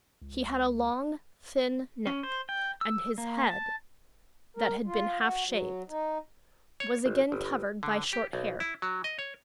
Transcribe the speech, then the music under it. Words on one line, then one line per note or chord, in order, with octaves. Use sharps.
He had a long thin neck, and his head, that had been half shaved, was again covered by short hair.
C#2
C#4
C5
G5
E6
A#3
A5
A#4
F4
F#4
F#3
D#4
C#5
G#1
G1
D3
G4
B1
E4
F#3
D#5
C#5